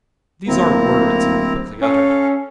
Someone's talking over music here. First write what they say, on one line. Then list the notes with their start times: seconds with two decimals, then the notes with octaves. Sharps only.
These are words and quickly uttered.
0.48 D1 A#3 C4 E4 A#5
1.82 C#4 A4 F5